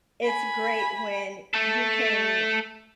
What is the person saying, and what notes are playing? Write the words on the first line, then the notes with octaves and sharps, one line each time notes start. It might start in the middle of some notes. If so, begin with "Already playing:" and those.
it's great when you can
G#5 B5
A3 A4